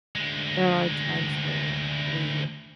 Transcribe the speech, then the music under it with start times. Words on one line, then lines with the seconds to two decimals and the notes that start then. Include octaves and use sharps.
there are times where we
0.15 D2 G#3